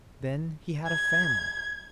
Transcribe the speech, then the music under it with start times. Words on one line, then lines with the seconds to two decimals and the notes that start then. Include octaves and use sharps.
Then he had a family!
0.86 G#6